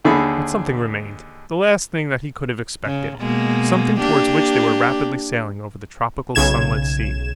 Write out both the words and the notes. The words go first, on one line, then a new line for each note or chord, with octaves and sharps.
But something remained--the last thing that he could have expected--something towards which they were rapidly sailing over the tropical, sunlit sea.
D#2 D3 G#4 B5
C#3
B2 G#3 A#3
A#3 D4 G4
B1 C#3 G#6 E7